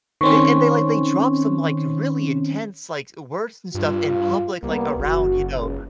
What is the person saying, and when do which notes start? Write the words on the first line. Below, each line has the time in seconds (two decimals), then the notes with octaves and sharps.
they and they like they dropped some like really intense, like, s words and stuff in public, like around, you know
0.21 D#3 C4 C#4 C6 C#6
3.75 G2 F4
4.63 C2 G3 A#3 B3
4.98 F#1 F#4
5.52 C#2